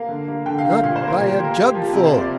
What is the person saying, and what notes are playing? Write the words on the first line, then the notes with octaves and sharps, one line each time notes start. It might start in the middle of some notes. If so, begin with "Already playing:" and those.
"Not by a jugfull!"
Already playing: A#3 F5
D3
A#3
D3 G5
F5
A#3
F5
A#2 F5
C5
A#3
A#4
A#2 G4
G4
A#3
A#4
A#3 G4
F3
G4
C3 A#4
C5
C3
D5